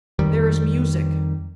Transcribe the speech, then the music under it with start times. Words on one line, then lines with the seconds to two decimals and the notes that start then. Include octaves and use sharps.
There is music.
0.19 F2 D#3 G3